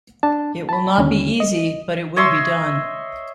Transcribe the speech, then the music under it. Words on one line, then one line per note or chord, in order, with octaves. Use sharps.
It will not be easy, but it will be done.
D4 A5
A5 B5
D#2 D3 C#4
D#5
C#5 D#5 E5 C6